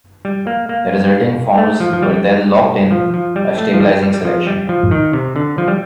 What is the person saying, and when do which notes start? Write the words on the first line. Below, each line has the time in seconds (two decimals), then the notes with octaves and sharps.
The resulting forms were then "locked in" by stabilizing selection.
0.25 G3
0.47 A#3
0.69 A#3
1.58 A3
1.80 F3
1.93 F3
2.02 G3
2.91 F3
3.14 F3
3.36 G3
3.58 A3
3.74 F3
3.80 G3
4.02 G3
4.14 G3
4.25 F3
4.47 G3
4.69 F3
4.91 D#3
5.13 C3
5.36 D3
5.58 F3
5.68 G3